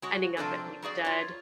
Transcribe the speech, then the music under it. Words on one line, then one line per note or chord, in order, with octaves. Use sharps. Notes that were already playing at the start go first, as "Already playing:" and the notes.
ending up at, like, a dud.
G#3 F#4 C#5
C3 F3 C4 D4 A4
F#3 F#4 G#4 D5
F4 C#5